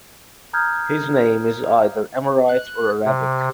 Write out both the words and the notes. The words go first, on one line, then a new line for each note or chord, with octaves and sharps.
His name is either Amorite or Arabic.
A#5 D#6 F6 G6 G#6
F#6
C3